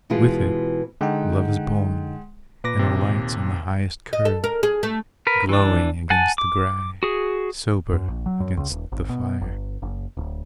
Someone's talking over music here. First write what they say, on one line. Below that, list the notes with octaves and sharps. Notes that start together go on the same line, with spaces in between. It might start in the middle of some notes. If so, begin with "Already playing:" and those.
With it love is born, and alights on the highest curve, glowing against the grey, sober against the fire.
B2 E3 G#3 F4
D3 G#3 D#4 F#5 G5
A#2 B4 D6 A#6
D#2 C3
D#5
A4
A#4
G#4
A3
A#4 B4
E3 D4
F#5 G#5 A5
D6
F#4 G#4
F#2
A#1
F#3
F#2
C#2
D#1
G#1
B2
G1
F#1
D1